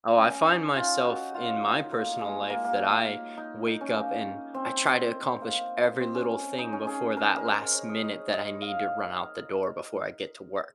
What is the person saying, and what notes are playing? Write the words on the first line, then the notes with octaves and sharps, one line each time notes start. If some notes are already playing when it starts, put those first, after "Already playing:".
Oh, I find myself, in my personal life, that I wake up and I try to accomplish every little thing before that last minute that I need to run out the door before I get to work,
C#4
D#4
F4
F#4
F4
D#4
A#3
G#3
A#3
A#3
D#4
D#4
C#4
A#3
C4
A#3
C4
C#4
D#4
C#4
G#4
A#4
A#4
C5
C#5
D#5
D#5
D#5
F5